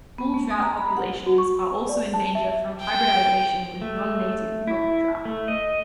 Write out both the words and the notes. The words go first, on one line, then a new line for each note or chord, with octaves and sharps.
Bull trout populations are also in danger from hybridization with non-native brook trout.
B3
A3
D#6
A#5
B5
F#5
F#4
C#6
D5
A5
E5
G5
A3
E4
A3
D#5